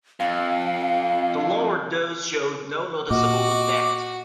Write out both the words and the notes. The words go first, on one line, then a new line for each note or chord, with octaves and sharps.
The lower dose showed no noticeable effect.
F2 F5
A#2 F#4 D#5 D6